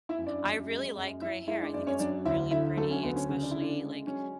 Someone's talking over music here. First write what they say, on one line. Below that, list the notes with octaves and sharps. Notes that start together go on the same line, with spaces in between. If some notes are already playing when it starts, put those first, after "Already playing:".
I really like gray hair. I think it's really pretty, especially, like,
E4 E5
F#2
D4 D5
F#2
G#3
F#2
F#2 E4 E5
G#3 E4 E5
D4 D5
F#2 D4 D5
C#4 C#5
F#3 D4 D5
D2 E4 E5
D3 E4 E5
F#3 A3 A4
C#4
D2 B3
C#4
C#3 C#4
D4
C#3 E4
D3 D4
G#3
F#3 C#4